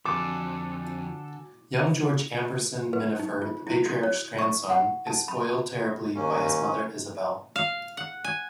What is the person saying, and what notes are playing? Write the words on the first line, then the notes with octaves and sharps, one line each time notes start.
Young George Amberson Minafer, the patriarch's grandson, is spoiled terribly by his mother Isabel.
F2 D3 F#4 A4 G#5 D6
B4
D#4
F4
E4
F#4
C#5
C#6
F#5
A5
B5
D#2 C#4
F5
F#5
G#5